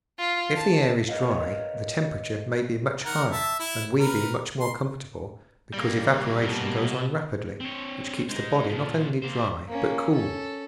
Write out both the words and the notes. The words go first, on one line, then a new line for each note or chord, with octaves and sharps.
If the air is dry the temperature may be much higher and we be much more comfortable, because evaporation goes on rapidly, which keeps the body not only dry, but cool.
F4
A5
A#4 B4 C#5 D#5 F5
D#3 A#4 F#5
E5 A5
E4
A#4 B4
C6
G3 A#3
B2
C4 C#5
G#3 D#4
A#2 F3
A#3 C5
A#3 C#4
C#4 A4